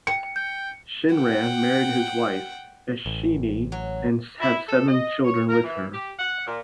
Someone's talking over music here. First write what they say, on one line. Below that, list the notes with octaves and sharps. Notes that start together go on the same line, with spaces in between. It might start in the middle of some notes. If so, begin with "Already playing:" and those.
Shinran married his wife, Eshinni, and had seven children with her.
G5 C#7
G5 G6
F#5 G5
A1
F#3
E4
A4
D#5
C#5
A#4
E3
G4
F#5
A#2